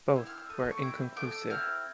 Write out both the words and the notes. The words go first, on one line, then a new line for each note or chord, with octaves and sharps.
Both were inconclusive.
C4 E4 E6
F6
E6
A3 D#6
C#6
C4 E4 D6
A3 D6
C4 E4 F6